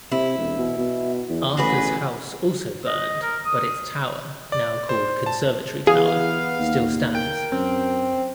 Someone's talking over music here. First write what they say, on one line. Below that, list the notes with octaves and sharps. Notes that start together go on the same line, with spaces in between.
Arthur's house also burned, but its tower, now called "Conservatory Tower," still stands.
C3 E4
E1
B2
B2
E2
A1 F#4 G#4 B4
D#5
A#4
D#6
D5
C5
A5
E3 B3 G#4 F5
D#2
A#4 G5
F#2 C4